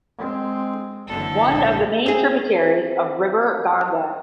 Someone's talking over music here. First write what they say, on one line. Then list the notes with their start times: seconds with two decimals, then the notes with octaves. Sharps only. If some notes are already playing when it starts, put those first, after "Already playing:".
One of the main tributaries of river Ganga.
0.18 G#3 C4
1.08 F#1 D3 E3 A4
1.47 A#1 G#2
2.06 C4 G#4